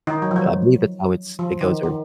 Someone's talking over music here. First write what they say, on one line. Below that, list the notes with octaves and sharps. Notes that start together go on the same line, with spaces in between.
I believe that's how it's it goes or
D#3 D#4
F#3
F3
F#3
F3
D#3
D#3